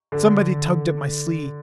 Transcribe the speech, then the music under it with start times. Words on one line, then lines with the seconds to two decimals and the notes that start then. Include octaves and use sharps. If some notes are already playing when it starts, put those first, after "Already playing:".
Somebody tugged at my sleeve.
0.12 D3